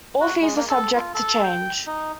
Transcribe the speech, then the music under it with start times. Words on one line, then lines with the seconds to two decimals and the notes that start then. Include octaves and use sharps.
All fees are subject to change.
0.21 F#4
0.42 G#3
0.56 A#3
0.70 A4
0.96 F4
1.14 A4
1.43 G5
1.87 D#4